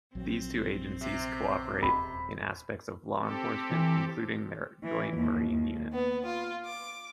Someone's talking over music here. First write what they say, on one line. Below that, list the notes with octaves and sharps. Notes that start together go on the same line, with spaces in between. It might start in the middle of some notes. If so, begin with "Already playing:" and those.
These two agencies co-operate in aspects of law enforcement, including their joint marine unit.
A#1 F#3 C4
C3
D#1 B5
C4 G4 A4
E3
E3
D#2
D#2
B3
F4
D6